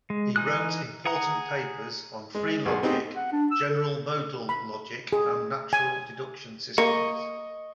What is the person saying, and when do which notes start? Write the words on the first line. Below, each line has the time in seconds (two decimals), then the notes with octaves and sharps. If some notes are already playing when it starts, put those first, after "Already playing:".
He wrote important papers on free logic, general modal logic, and natural deduction systems.
0.10 G#3
0.36 E3 D#4 G#5 D#6 F#6
1.06 G#4 F#5 A#5 D#6
2.35 G#3
2.65 B1 G#4
2.82 B3 C4 D#4 G4 G#4
3.16 F#5
3.32 D4
3.51 E6
3.69 A4
4.49 B5
5.13 G#4
5.73 G#5
6.78 A#3 D#5 C#6